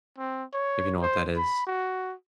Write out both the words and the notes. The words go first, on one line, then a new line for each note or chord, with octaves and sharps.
if you know what that is.
C4
C#5
C5
B5
F#4